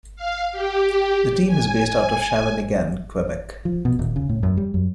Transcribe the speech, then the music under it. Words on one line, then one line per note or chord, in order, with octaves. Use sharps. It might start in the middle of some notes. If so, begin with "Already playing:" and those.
The team is based out of Shawinigan, Quebec.
F5
G4
G#5
F3
B2
D#1
C#3
A2
F#2
G3
F#2